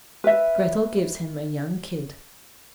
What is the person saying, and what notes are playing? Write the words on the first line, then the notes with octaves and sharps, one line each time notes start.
Grettel gives him a young kid.
B4 E5